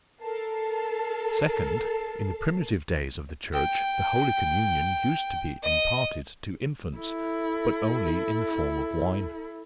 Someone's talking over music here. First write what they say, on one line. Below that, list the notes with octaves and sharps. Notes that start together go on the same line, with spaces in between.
Second--In the primitive days of the Church the Holy Communion used to be imparted to infants, but only in the form of wine.
A4 A#4 A5 C7
G5
D#5
E4 A4